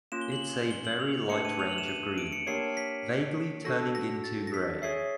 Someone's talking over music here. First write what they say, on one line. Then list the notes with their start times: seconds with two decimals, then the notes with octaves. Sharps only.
It’s a very light range of green, vaguely turning into grey.
0.12 A#3 C#4 F4 E7
0.21 G7
0.32 F#7
0.42 G7
0.71 G7
0.85 F#7
1.00 F7
1.29 A3 D4 G4 B4 C#7
1.45 D#7
1.59 F7
1.69 F#7
1.78 E7
1.88 D#7
2.18 D7
2.32 C#7
2.47 A#3 D4 G4 A#4 C#5 C7
2.77 B6
3.65 D4 F#4 A4 A#6
3.95 A#6
4.24 A6
4.47 A#6
4.54 B6
4.82 G#4 C#5 E5 C7